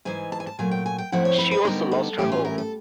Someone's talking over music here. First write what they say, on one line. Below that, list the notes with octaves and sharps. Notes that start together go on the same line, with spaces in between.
She also lost her home.
G#2 E3 G#3 G#5
A5
G#5
A5
A#2 F#3 A3 G#5
G5
G#5
G5
A2 F3 A3 C4 E4 F#5
C#5
B4
B4
D2 D3 G3 B3 D#4 A#4
A4
A2 E3 A3 C#4 G4
F4
A#4
A4